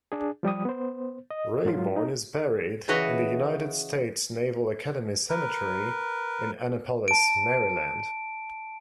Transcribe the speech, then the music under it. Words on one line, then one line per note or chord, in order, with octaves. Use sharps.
Raborn is buried in the United States Naval Academy Cemetery in Annapolis, Maryland.
D4 G#4
F3 G3 G4 D#6
B3 C5
D#5
G#2 F#3 F4
D#4
C#3 E3 F#4 B4 C#5 D#5
A#4 B4
A5 D7